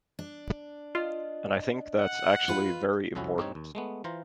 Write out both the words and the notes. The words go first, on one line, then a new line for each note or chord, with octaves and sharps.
And I think that's actually very important.
D4
F4 D#5
F#5
F4 B4
C2 F2 C#4 E4 F#4
G2 C4 D#4 C#5
D#2
G#3 A3 B3
E3 F4 C5 A#5